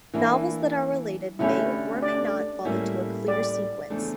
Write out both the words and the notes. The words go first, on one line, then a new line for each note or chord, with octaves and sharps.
Novels that are related may or may not fall into a clear sequence.
E3 A#3 D4 E4
D2 D3 A3 C#4 E4 G4
D5
A2 G3 A#3 C#4 E4
D5
E2 C#3 F3 A3 D4